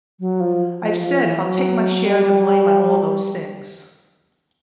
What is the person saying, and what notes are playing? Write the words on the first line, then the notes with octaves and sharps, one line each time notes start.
I've said I'll take my share of the blame on all those things.
F#3
F3
F3
F3
E3
F#3
G3